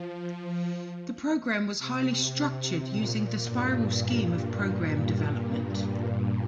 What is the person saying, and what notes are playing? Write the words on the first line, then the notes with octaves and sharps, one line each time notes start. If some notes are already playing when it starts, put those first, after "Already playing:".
The program was highly structured using the spiral scheme of program development.
Already playing: F3
F3
C3
A#2
G2